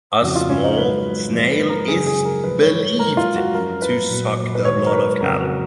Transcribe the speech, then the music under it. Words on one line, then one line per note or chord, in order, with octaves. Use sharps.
A small snail is believed to suck the blood of cattle.
F2 C#3 F3 F#4
F4
C#4
D#4
G#2 F#3 B4
G#2 F3
B4
A#4
F#2 C#3 F#3 G#4
G#4
A#4
G#2 F3 B4
C#5
B4
G#2 F#3 A#4
F4
F#4
F#2 F3 A#4
B4
A#2 F#3
B4
G#2 D#3 F#3 C#5
A#4
B4
F2 C#3 F#3 A#4
F#4